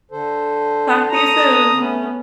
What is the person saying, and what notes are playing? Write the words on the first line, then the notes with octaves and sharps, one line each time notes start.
Talk to you soon.
D3 A4 C5
A#5 D#6
A3 B3 C#4